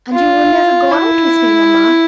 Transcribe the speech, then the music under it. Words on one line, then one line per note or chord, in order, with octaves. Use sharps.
"And you will never go out with me, mamma?"
F4
E4